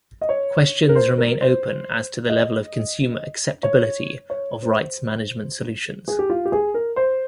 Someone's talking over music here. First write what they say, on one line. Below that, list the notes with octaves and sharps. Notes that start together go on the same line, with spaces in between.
Questions remain open as to the level of consumer acceptability of rights management solutions.
D#5
C#5
A#4
C5
A#4
C5
D#5
C#5
C#5
C5
G#4
G4
F4
G4
G#4
A#4
C5